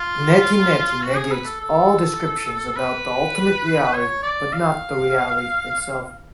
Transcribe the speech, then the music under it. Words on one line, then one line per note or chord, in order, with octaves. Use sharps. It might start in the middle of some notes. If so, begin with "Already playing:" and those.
Neti neti negates all descriptions about the Ultimate Reality but not the Reality itself.
Already playing: F4
F#4
G#4
B4
A4
A4
A4
B4
C#5
D5
F5